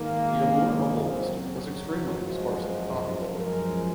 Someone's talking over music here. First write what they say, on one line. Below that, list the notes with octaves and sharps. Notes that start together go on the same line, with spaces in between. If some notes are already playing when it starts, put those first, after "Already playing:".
The Amur Oblast was extremely sparsely populated.
Already playing: G#2 D#3 G#3 A#3
F#2 C#3 F#3 C4
C#4
F#4
F#2 F3 G#3
F#2 F3 G#3 A#4